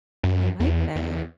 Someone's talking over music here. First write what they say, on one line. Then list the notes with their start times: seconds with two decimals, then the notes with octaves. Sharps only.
I like that.
0.23 F#2
0.60 E2
0.96 E2